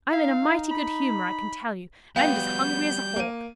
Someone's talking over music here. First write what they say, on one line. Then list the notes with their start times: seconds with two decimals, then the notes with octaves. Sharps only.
I am in a mighty good humor, I can tell you, and as hungry as a hawk.
0.13 D#4 F5
0.39 D#4
0.71 B5
2.16 G3 B3 F#4 F5 G5 G6
3.16 A#3 D#7